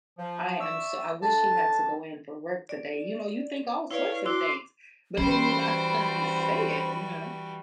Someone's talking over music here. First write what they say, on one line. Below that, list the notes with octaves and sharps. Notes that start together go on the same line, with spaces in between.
I am so I wish he had to go in for work today,” you know, you think all sorts of things, but then you're not gonna say it, you know.
F3
D5 E5 C#6 E6
D3 A5
D5
E4 B4 C#5 D5 F5
E4 F#4 C6 D6 E6
E3 G3 C#4 F#4 C5 B5